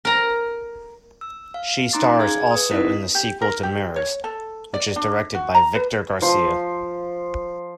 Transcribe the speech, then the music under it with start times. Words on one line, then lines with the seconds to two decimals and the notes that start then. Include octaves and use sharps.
She stars also in the sequel to "Mirrors", which is directed by Victor Garcia.
0.05 A#4 A#5
1.21 E6
1.54 F5
1.93 C#4 D#4 A#5 C6 D6 A6
2.20 G#4 F5 G#6
2.51 B4 D#6
2.71 C4 D#4 E4 A#4 D#5 B6
3.15 G4
3.41 A#4
3.63 G4
3.96 C#5
4.24 A4
4.74 D5
4.96 D4
5.34 F#4
5.55 A#5
5.75 B4
6.22 F3 C5 F5